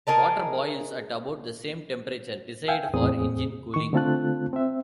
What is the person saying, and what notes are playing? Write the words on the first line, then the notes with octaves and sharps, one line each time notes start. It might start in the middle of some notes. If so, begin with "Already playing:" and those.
Water boils at about the same temperature desired for engine cooling.
G#4 A#4 D#5 A5
E5 F5 G5 G#5
E2 A2 C4 G#4 D#6
D#3 C#6
D3 A3 C4 F4 A5 F#6
C4 E5